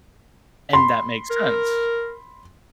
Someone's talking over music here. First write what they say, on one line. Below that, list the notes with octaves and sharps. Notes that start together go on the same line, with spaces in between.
and that makes sense.
B5 C6
A#4